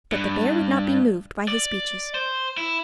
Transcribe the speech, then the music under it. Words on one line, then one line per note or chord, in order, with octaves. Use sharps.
But the bear would not be moved by his speeches.
G2
D5
C5
E4